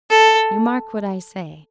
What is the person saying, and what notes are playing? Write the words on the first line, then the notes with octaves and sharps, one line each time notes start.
You mark what I say.
A4